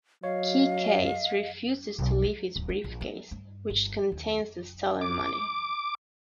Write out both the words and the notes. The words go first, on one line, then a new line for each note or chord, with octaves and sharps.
Keycase refuses to leave his briefcase, which contains the stolen money.
F#3 C#5 D#5 F5
B1
G#3
D1
G3
A#1
A#3
G2
G1
D#2
D6